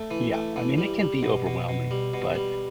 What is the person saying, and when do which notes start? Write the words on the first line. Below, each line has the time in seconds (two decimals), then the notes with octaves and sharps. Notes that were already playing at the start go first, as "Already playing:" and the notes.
Yeah. I mean, it can be overwhelming, but
Already playing: A3
0.11 E3
0.33 A3
0.56 E3
0.78 G3
1.01 G3
1.23 B2
1.46 B2
1.69 B2
1.91 G3
2.14 B2
2.35 G3